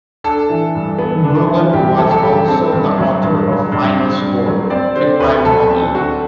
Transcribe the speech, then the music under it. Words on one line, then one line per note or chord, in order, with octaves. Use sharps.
Grogan was also the author of "Final Score," a crime novel.
D4 A4
E3
G2
B3
D4
E3
G2 G4
F#3 A4
A4
G2 G4
C4 A4
G2
F#3
G2
F#3
G2
C4
G2
F#3
C4 D5
D3 C5
D2 B4
F#3 A4
C4
D3 F#4